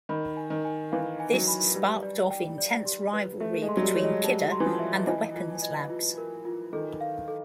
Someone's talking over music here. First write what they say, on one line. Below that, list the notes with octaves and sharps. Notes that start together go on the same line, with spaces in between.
This sparked off intense rivalry between Kidder and the weapons labs.
D#3 B5
G#5
D#3
G#5
E3 F5
G#5
F#3
B5
G3 B4
D5
G5
D5
G4
B4
A3 E5
G#3
C6
F#3
G3
C#5
G#3
G3 A5
C6
E3
F3
E5
E3 D#5
F4
D#5
F4
A#4
F4
D#3 A4
F5
A4